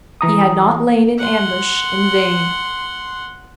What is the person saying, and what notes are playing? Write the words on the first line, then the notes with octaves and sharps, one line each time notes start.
He had not lain in ambush in vain.
E3 A#5 D#6
F#5 C6